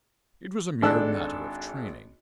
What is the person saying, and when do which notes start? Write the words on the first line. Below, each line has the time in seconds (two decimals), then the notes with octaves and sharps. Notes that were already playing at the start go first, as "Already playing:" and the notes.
It was a mere matter of training.
0.82 G#1 D4 A4 E6 F#6